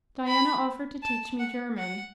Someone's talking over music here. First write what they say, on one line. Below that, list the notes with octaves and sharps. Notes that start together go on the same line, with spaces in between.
Diana offered to teach me German.
B5
A5
F#5
F#5